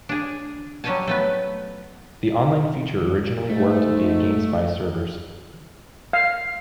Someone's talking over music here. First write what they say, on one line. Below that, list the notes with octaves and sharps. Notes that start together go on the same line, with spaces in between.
The online feature originally worked via GameSpy servers.
D4 G#4
F#3 G3 C#4 C#5 G#5 A5
A3 B3 B4
G#2 A3
F5